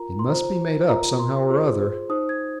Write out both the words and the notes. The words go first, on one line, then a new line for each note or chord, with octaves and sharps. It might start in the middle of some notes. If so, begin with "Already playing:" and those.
"It must be made up somehow or other."
Already playing: F4 A#4 A#5
C6
F4 C5 A#5
F4 A#4 A#5
C6
F4 G#4 C5
D#4 C5 D#6
G#6